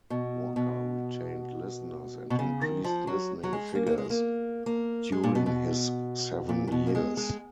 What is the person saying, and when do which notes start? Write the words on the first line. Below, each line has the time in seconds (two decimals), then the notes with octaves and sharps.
Walker retained listeners and increased listening figures during his seven years.
0.10 B2
0.56 B2
2.30 B2
2.39 C#3
2.61 D#3
2.84 F3
3.07 F#3
3.43 F#3
3.53 G#3
3.75 A#3
3.87 A#3
3.98 G#3
4.10 A#3
4.66 A#3
5.12 G#3
5.23 A#2
5.35 B2
5.46 B2
6.49 A#2
6.67 A#2
6.72 B2
6.87 A#3
6.95 G#3
7.17 G#3